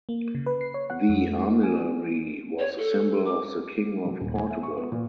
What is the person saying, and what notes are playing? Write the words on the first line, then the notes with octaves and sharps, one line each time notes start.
The armillary was a symbol of the king of Portugal.
A#3
C#3
B4
C7
C#5
F#5
F2
A3
D#4
G#5
C#5
A4
D6
F#3
D#1
G#5
E5
C#6
B3
A#2